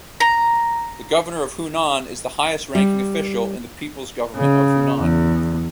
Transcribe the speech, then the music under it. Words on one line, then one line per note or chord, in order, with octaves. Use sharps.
The Governor of Hunan is the highest-ranking official in the People's Government of Hunan.
A#5
G3
C#3
E2